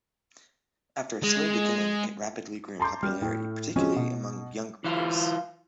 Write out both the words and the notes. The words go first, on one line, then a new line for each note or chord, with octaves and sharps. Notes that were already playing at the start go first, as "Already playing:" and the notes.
After a slow beginning, it rapidly grew in popularity, particularly among young readers.
G#3
A5 A#5 C6 D6 G6
G3 F6
A2 A3 G5
F3 G#3 C4 C#4 F#4
B2
E3 F4